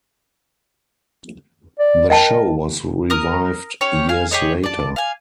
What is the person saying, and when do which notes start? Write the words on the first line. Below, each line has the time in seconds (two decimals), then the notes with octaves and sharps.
The show was revived years later.
1.79 D5
2.10 A#4 D#5 G5 A5
3.10 A#4 A#5 D#6
3.81 C#4 G4 C#5
4.09 F5 G#5
4.31 G4 G#4 C#5 D#5
4.63 D5 A5
4.96 F5 G#5